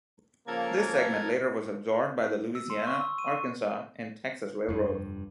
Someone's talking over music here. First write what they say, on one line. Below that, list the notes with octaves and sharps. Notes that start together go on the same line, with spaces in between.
This segment later was absorbed by the Louisiana, Arkansas, and Texas Railroad.
C#3 F3 A#3 A4 A#4 G#6
E6
C6
C#6
E6
D#7
C#6
F1 G2